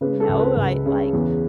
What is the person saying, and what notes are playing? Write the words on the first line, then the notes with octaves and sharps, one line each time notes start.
you know, I like,
C#3 B4
A4
C#2
B4
C#2
C#3
E2